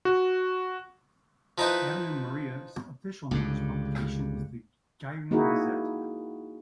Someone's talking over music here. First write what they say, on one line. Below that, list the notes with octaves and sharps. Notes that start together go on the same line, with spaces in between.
Avenue Maria's official news publication is "The Gyrene Gazette".
F#4
F3 D#4 E4 B4
C#2 G2 D3
A#3 D#4 E4 F#4 G#4